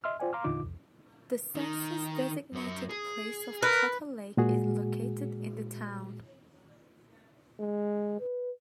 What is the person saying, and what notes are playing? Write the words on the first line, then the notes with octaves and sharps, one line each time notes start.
The census-designated place of Potter Lake is located in the town.
D#5 E5 C6 E6 F6
F4 C5 D5 G5 G#5
F5 A#5 C6 D6 F6
E2 A#2 D3 D#4 F4 D6
C2 F2
D#3
F#2 C#5
G#4
A#4 B4
A#2 G#3 F#4 G#4
G#3
B4